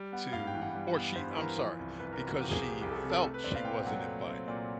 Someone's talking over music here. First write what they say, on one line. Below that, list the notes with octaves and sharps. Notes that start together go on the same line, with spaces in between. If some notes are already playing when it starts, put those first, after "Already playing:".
to Or she I'm sorry, because she felt she wasn't invited
Already playing: G3
B3 F#5
G2 F5
G5
E3
F#5
G3
B3
G2 C5
B4
E3 A#4
F3
C2
C2 B4
A#4
C3
F#4
F3 G4
G#4
C2 G4
G4
C2 G4
A4
G#4
C3
A4
A3
B4
C4 D5
F5
A#2 G5
F#3 F#5
A3
C4
A#2 D5